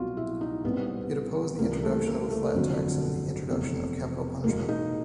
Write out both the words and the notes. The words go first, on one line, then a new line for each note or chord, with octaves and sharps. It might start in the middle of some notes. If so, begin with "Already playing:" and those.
It opposed the introduction of a flat tax and the introduction of capital punishment.
Already playing: C2 B2 F#3 F4 F#4
E4
D#4
C2 A#2 G3 B3
C4
B3
C#2 C3 E3 G3 A#3
A3
A#3
A3
G1 F2 D3 F#3
F1 E2 C3
E2 B2 G#3 A#3
D#4